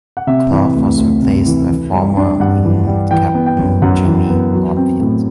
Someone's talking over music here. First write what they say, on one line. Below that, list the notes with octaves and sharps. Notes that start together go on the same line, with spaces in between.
Clough was replaced by former England captain Jimmy Armfield.
F#5
C3 E5
E3
D2
D2
C3
E3
E3
G3
D4
G2 F#5
E3
G3
E3 G5
B3
G5
F#2
F#2 F#5
E3
B3
F#3
C4
A2